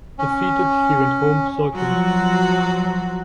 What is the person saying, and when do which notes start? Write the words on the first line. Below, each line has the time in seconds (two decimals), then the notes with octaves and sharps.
Defeated, she went home sulking.
0.19 C#4
1.74 F3 F#3 F#4